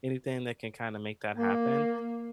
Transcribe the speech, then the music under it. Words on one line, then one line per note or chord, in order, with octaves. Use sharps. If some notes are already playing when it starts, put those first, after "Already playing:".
anything that can kinda make that happen.
A#3